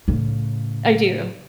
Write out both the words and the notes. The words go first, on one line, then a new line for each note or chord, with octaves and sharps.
I do.
A2 C#3